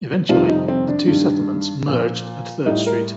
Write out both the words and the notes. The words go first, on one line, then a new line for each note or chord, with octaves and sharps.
Eventually, the two settlements merged at Third Street.
F2 C3 D#3 G3 F4
D#4
C4
D4
G2 D#3 G3
A#2 F3
A2 G3 D#4
A#4